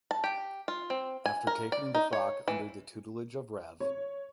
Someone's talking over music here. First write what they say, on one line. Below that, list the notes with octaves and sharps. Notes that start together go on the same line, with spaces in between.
After taking the frock under the tutelage of Rev.
A5
G4
F4
C4
G#5
A#4
D5
D#4
C#5
E3
C#5